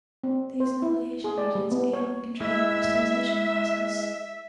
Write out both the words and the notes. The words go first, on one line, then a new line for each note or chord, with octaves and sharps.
These nucleation agents aid and control the crystallization process.
C4
C5
E4
G#4
D5
G3
B3
C#5
G#3 E4 E5